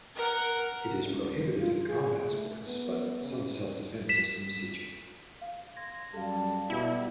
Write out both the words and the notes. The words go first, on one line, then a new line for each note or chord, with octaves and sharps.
It is prohibited in combat sports, but some self-defense systems teach it.
A#4 F#5
C#2
F4
G#4
A3
B3
C#3
B6 E7
F5
C6 G#6 A#6
F#2 G3 A4 F5 A5
B2 G3 E4